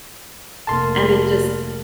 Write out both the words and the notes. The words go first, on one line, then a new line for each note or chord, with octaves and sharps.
and it just
F1 A#3 A5 C6